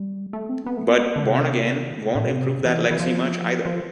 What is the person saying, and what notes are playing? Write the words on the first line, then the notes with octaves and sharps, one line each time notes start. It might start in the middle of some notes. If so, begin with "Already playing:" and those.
But "Born Again" won't improve that legacy much, either.
Already playing: G3
A3
C4
B3
A3
B3
B3
D3
C3
A2
B2
C3
E3
E3
F3
F3